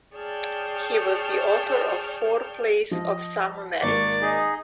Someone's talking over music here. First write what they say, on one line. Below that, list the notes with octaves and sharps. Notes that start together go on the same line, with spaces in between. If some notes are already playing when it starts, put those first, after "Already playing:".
He was the author of four plays of some merit.
G#4 C#5 D5 G5 A5 F6
F3 D#5
G#1 A#3 D5 C#6
D#4 G#4 D#5